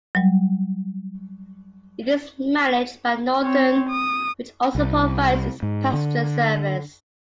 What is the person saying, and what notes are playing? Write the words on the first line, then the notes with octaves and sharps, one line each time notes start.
It is managed by Northern, which also provides its passenger service.
F#3 G3
C4 C#5
D#6
C2
G#2
D3